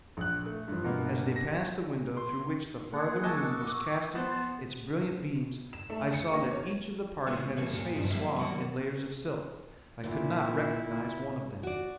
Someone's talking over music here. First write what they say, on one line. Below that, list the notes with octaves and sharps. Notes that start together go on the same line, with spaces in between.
As they passed the window through which the farther moon was casting its brilliant beams, I saw that each of the party had his face swathed in layers of silk--I could not recognize one of them.
A#1 F#6
A3
G2 F3
G2 B2 A#3 B3
A#6
C6
A#3 G#4 F#5
D#5 G#5 A5 C#6 D6 E6
B3 C5 A5
E7
A3
C#7
A#3
C#5
C#3 E3 G#3 B3 C#4 F4
E3 F3 A#3 C#4
E2 A#2 D3 F3 F#3
E2 G2 B2 F3 F#3
F#2 D#3 F3 G3 A#3 E5
D#3 F#3 A#3 A#4 D5 F#5
A#2 D3 E4
F#4 D5